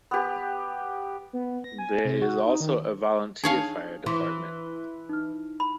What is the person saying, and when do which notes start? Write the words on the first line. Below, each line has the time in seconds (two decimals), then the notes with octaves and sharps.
There is also a volunteer fire department.
0.11 B3 G4
1.33 B3
1.64 A#6
1.78 G#5
2.05 C3
2.22 F#4
2.46 D#4
2.60 D#3
3.44 D4 D#4 G#4 C#5 F5
4.06 E3 C6
5.09 D#4 F6
5.60 B5